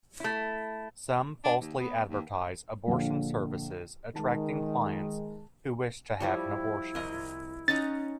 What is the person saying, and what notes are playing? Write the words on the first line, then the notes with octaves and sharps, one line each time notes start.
Some falsely advertise abortion services, attracting clients who wish to have an abortion.
A3 E4
D4
D#2
B3
D#2
A#1 D3 F5
D#3 G#3 A5
F3 G3 E4 C#5
C2 A#4 D#5
C#4 D#4 F#5 A#5 A6